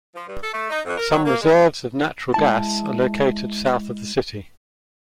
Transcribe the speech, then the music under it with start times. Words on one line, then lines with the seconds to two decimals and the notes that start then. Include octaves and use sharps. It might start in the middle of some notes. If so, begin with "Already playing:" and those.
Some reserves of natural gas are located south of the city.
0.14 F3
0.28 G2
0.41 A4
0.54 A3
0.69 D#4
0.86 F2
0.97 A#4
1.11 F#3
1.26 A#3
1.41 G#3
2.34 G#3 E4 A5